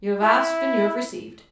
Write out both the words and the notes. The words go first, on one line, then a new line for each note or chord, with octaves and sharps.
You have asked, and you have received.
E4